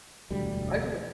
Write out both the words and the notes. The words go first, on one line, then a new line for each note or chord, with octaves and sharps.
I would've
E1 D2 G3